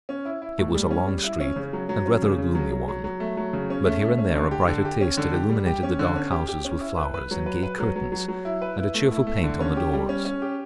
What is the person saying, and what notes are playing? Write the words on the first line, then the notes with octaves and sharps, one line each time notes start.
It was a long street, and rather a gloomy one, but here and there a brighter taste had illuminated the dark houses with flowers, and gay curtains, and a cheerful paint on the doors.
C#4
E4
E4
A2
G3
C#4
G3
E4
C#4
C#3
F#3
F#3
C#4
C#3
C#3
F#3
F#3
F#3
F#3
A3
F#3
C#3
C#4
A3
A3
C#4
D3
G4
D3
G4
C#4
D3
G4
G3
G4
C#4
D3
C#4
G4
G4
C#4
E4
B4
B4
F#3
B4
B4
F#3
F#3
F#3
F#3
E4
B4
E4
A3
E4
A3
D3
C#4
G4
G3
C#4
C#4
G4